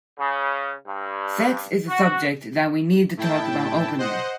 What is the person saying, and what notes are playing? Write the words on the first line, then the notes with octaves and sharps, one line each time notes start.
Sex is a subject that we need to talk about openly.
C#3
G2
F#4
A2 E4 G5 A5
C5 D#5 F#5